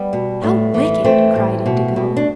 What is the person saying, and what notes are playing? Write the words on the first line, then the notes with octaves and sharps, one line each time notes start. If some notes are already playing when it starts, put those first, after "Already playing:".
"How wicked!" cried Indigo.
Already playing: G3 B3
B2
A2
E3
E3 A3 C4
A2
B2
B2
D4